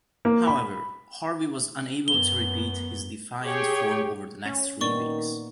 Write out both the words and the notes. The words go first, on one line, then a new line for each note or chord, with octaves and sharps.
However, Harvey was unable to repeat his defiant form over the next three weeks.
A#3
B5
F#2 B3 G7
G4 G#4 C#5 G5
C#4
A#2 D#3 B3 D#4 D5 C#6 G7